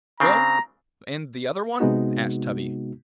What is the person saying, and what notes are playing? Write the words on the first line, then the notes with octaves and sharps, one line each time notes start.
'Well, and the other one?' asked Tubby.
C#3 C4 D4 A#5
C3 G#3 B3 D#4 F#4